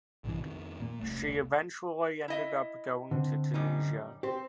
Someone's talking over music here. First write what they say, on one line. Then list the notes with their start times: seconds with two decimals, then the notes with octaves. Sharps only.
She eventually ended up going to Tunisia.
0.24 A#1 G2 C3 E3
0.40 F2 D#3
0.80 A#2 A#3
0.99 E1 C2 A3
2.28 E4 D#5 E5
3.11 D3 C4
3.54 F#2 G3 D#4
4.23 C4 G4 C5